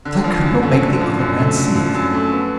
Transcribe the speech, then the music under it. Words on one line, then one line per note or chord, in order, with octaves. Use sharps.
But I could not make the other man see it.
D3
F3
F#2
A3
D3
F3
F#2
A3
D3
F3
F#2
A3
B3